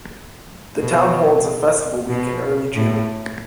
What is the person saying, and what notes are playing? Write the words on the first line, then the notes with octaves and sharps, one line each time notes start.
The town holds a Festival Week in early June.
B2
B2
A2